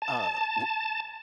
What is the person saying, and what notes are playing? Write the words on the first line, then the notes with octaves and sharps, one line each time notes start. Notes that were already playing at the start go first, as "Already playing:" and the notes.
Uh, w
A5